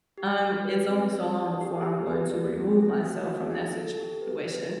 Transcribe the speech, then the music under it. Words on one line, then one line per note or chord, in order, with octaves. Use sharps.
um, it's only so long before I'm going to remove myself from that situation.
G4
G4
B4
C4
D5
D5
G4
G4
B4
D5
C4
A3
F#4
F#4
D4
A4
G4
B4
B4